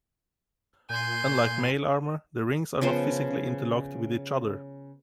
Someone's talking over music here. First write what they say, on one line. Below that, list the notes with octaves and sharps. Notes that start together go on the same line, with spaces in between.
Unlike mail armour, the rings are not physically interlocked with each other.
A#2 G#5 C6 G6
C#3 F3 B3 C5